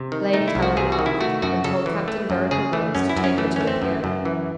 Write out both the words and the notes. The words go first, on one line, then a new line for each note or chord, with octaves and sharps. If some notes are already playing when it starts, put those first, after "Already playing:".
Lady Tallant laughed, and told Captain Vereker Wells to take her to the piano.
Already playing: C3
D#3
A3 D#4
E4
C2
F#4
C3 G#4
F#4
D#3
E4
A3 F#4
F#2 F#4
C#3 A4
E3
A3
F#2
C#3 G#4
E3 A3
F#2 C#4
E4
F#2
C#4
E3 A3
A3 C#4
C4
F#2
F#2
E3